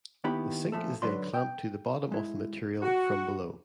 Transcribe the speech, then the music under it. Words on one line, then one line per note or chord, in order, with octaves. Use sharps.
The sink is then clamped to the bottom of the material from below.
D#2 D#3 B3 E4 G4 B5
A#2 F3 A3 A4
D3 F#3 B4 D5 B5 C6
G5
G#3 E4
F#4